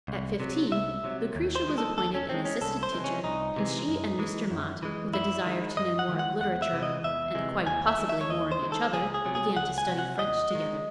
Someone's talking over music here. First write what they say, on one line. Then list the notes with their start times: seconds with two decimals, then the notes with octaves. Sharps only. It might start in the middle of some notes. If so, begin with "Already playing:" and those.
At fifteen, Lucretia was appointed an assistant teacher, and she and Mr. Mott, with a desire to know more of literature, and quite possibly more of each other, began to study French together.
0.08 C2
0.40 C3 F#3
0.72 C2 E5
1.04 C3 F#3
1.35 D#2
1.56 C5
1.66 D#3 G#3
1.78 A4
1.98 D#2 A4
2.15 C#4
2.29 D#3 G#3 C4
2.45 C#4
2.61 C2 A4
2.83 C5
2.92 C3 E3 G#3
3.04 C#4
3.24 C2 D#4
3.57 C3 E3 G#3
3.88 F#2
4.19 E3 G#3
4.51 F#2
4.83 E3 G#3
5.14 F#2 E4
5.46 D#3 G#3
5.77 F#2 D#5
5.99 F#5
6.09 D#3 G#3
6.19 F#5
6.40 E2 F#5
6.62 E5
6.72 C3 E3 G#3
6.83 D#5
7.04 E2 E5
7.35 C3 E3 G#3
7.66 D#2 G#5
7.88 E5
7.98 D#3 G#3
8.09 E5
8.21 C#5
8.29 D#2 D#5
8.52 C5
8.62 D#3 G#3
8.72 A4
8.93 C#2 G#4
9.14 G#4
9.25 C3 F#3
9.35 G#4
9.56 C#2 F#5
9.78 G#5
9.88 C3 F#3
9.98 F#5
10.19 D#2 D#5
10.51 D#3 G#3